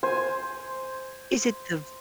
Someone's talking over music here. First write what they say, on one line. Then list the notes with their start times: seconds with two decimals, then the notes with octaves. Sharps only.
is it the v
0.03 C5 G#5